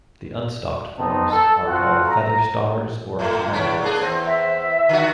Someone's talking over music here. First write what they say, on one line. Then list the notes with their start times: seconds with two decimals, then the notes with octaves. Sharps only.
The unstalked forms are called feather stars or comatulids.
0.98 B3 C4 D#4 A5
1.30 A4
1.67 C4 F4 F#4 A4 F#5
2.08 A#5
3.19 A2 A3 A#3
3.53 E2 C#4 D4
3.82 A#3 D4 G#4
4.02 E2 C4
4.27 E5
4.89 D3 F#4